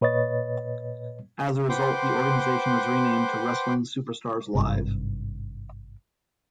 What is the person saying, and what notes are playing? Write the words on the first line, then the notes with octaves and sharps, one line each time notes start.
As a result, the organization was renamed to Wrestling Superstars Live.
A#2 B4 C#5 D#5 A6
B4 C5 F#5 G5 C6 D6
G#1 G2 C3